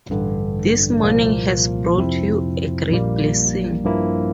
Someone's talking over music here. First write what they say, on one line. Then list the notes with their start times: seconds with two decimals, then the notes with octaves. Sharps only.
This morning has brought you a great blessing.
0.09 A1 G2 D3
1.03 C2 A#2 F3 A#3
1.97 F2 C3 F3 C4 E4
2.91 A#1 A#2 G3 A#3
3.84 G2 F3 A#3 E4